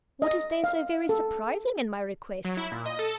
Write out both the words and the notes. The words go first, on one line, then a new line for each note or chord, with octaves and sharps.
"What is there so very surprising in my request?"
D#5
F5
A4
F#3
E4
A#2
D#5
A4